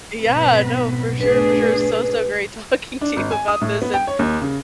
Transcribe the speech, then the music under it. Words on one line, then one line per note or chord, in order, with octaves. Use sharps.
Yeah, no, for sure, for sure, so, so great talking to you about this and
B1 G#2 B3 C4 B4
A3 D4 G#4 B4
D4
G#1
G#5
D#6
A2
B3
G5
C#5
D#2
C#3